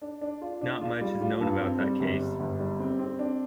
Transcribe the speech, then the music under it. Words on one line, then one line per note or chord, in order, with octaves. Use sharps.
Not much is known about that case.
D4
D4
F4
D4
F4
G3
F4
G2
C4
G3
G1
G3
G1
G3
C4
C4
D4